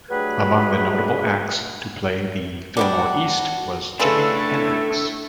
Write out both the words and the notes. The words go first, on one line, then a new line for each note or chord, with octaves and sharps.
Among the notable acts to play the Fillmore East was Jimi Hendrix.
F#3 G3 A3 D4 G#4 B4
G3 B3 D4 F#4
A2 A3 D4 F4 G#4 A4 B4